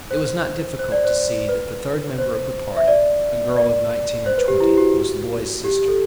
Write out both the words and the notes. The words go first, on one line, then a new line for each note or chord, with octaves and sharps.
It was not difficult to see that the third member of the party, a girl of nineteen or twenty, was the boy's sister.
C5
C5
D5
C5
B4
C5
E5
D5
D5
C5
B4
G4
E4
F#4
G4
A4